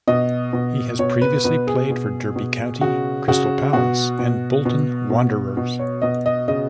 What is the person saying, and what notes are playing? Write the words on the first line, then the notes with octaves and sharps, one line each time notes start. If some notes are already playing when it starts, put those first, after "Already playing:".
He has previously played for Derby County, Crystal Palace and Bolton Wanderers.
B2 D#5
B2
B2 C#5
B4
B2 B4
G#4
B2
B2
C#3 F#4
C#3 F#4
B2 F#4
B2
B2
B2
B2
C#5
B2 D#5
D#5
C#3 D#5